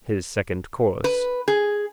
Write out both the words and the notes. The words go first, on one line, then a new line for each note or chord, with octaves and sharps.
His second course.
B4
G#4